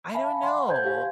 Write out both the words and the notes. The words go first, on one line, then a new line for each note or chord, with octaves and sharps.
I don't know.
E5 F5 G#5 A5 B5
F#5 C6
C5 G#5 G6 G#6
G4 F5